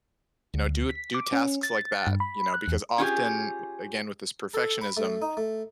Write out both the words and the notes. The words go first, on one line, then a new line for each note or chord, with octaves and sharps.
you know, do do tasks like that. You know? Because often, again, with this perfectionism,
D2
B6
D6
C#4
A6
G2
B5
F#6
E2
C#4 F4 G4 G#4
A4
B5
A3
D#4
A3